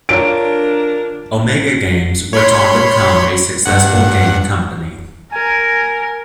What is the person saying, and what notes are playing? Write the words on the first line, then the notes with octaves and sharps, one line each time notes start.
Omega Games went on to become a successful game company.
D3 D4 F4 A#4 C#5 D7
C#5 B5 C6
G2 F#5
A#4 G#5